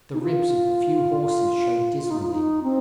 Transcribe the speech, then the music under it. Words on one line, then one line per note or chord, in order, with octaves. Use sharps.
The ribs of the few horses showed dismally.
D#4
F4
F4
D#4
F4
D#4
C4